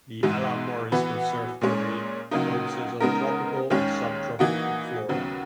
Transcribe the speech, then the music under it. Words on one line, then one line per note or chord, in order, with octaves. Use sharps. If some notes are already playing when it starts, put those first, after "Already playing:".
The Ella Morris Conservatory focuses on tropical and subtropical flora.
G#2 E3 G#3
E3 B3 F#4 B4
A#2 G#3 C#4
C#2 C#3 F#3 A#3 D#4
C#3 G#3 B3 D#4 A#4
D#2 D#3 G#3 C#4
E3 A#3 D#4 F#4
D#2 C#3 F#3 B3